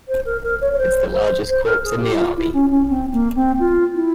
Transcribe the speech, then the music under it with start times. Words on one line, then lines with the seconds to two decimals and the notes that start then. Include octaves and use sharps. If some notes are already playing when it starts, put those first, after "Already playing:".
It is the largest Corps in the Army.
0.08 C5
0.25 A#4
0.43 A#4
0.61 C#5
0.73 C#5
0.78 C5
1.13 C5
1.48 C5
1.65 A#4
1.83 G#4
2.00 G4
2.12 E4
2.18 F4
2.36 E4
2.53 C#4
2.70 C#4
2.89 C4
3.12 A#3
3.35 C4
3.59 F4
3.94 E4